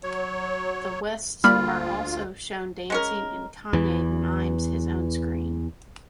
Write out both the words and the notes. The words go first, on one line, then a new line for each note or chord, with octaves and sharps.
The Wests are also shown dancing and Kanye mimes his own scream.
F#3 C#5
D2 G3 A#3 F4 B5 F6
G#3 C#4 A#4
E2 E3